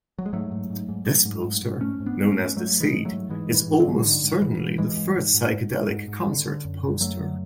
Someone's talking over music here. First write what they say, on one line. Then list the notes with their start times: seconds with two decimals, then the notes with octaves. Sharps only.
This poster-known as "The Seed"-is almost certainly the first psychedelic concert poster.
0.18 F#3
0.26 G#3
0.33 G#2 F#3 A3
0.52 G#2
0.70 G#2
0.89 G#2
1.07 G#2
1.26 G#2
1.44 G#2
1.63 G#2
1.81 G#2 A3 C#4
2.00 G#2
2.06 B3 D4
2.19 G#2
2.31 A3 C#4
2.37 G#2
2.56 G#2 F#3 A3
2.74 G#2
2.80 E3 G#3
2.93 G#2
3.05 F#3 A3
3.12 G#2
3.29 G#2 E3 G#3
3.49 G#2
3.54 E3
3.67 G#2
3.73 E3
3.79 D3 F#3
3.86 G#2
4.04 G#2 D3
4.23 G#2
4.42 G#2 E3
4.60 G#2
4.78 G#2 E3 G#3
4.97 G#2
5.16 G#2
5.34 G#2
5.53 G#2
5.71 G#2
5.90 G#2
6.08 G#2
6.27 D3
6.46 D3
6.65 F#2
6.83 D3
7.01 F#2 F#3 A3
7.20 D3